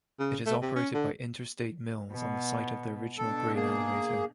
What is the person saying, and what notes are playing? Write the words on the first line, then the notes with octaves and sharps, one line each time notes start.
It is operated by Interstate Mills on the site of the original grain elevator.
C#3
A3
C3
C#4
D3
B2 B3
B2 D4 A4
A#3 G#4